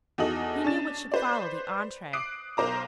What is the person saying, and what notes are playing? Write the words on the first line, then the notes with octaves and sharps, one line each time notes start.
He knew what should follow the entree.
E2 D#4 F#4 A4 D#5 F#7
C#4 D4 A6 E7
B4 C5 D5
D6 D#6 F#6 C7 D7
B1 A#4 C5 A#5 D6